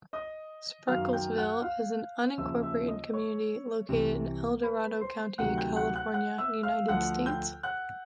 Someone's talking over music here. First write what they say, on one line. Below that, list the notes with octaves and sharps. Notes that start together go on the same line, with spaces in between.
Sprekelsville is an unincorporated community located in El Dorado County, California, United States.
D#5 D#6
F#2 D#3 F#3 F5 F6
G5 G6
F#5 F#6
F5 F6
D#2 C#3 F3 E5 E6
E5 E6
D#5 D#6
C#5 C#6
C2 C3 E3
B4 B5
C5 C6
D2 C3 D#3 F#3 F#5 F#6
G5 G6
F#5 F#6
F#5 F#6
F#5 F#6
E5 E6
F5 F6
D2 D3 F3 F#5 F#6
G5 G6
F#5 F#6